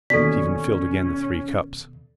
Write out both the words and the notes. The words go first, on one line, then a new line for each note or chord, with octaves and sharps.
Stephen filled again the three cups.
D#2 B2 C#4 A4 D5 B6